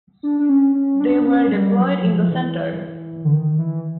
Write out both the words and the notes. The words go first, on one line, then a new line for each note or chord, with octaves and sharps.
They were deployed in the centre.
D4
D4
C#4
C#4
D4
C#4
G3
F#3
F3
E3
D3
D#3
E3